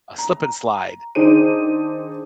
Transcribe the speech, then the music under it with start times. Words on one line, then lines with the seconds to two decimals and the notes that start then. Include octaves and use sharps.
a Slip 'N Slide
0.18 A#5
1.15 D#3 D4 D#4 G#4 C5 D#7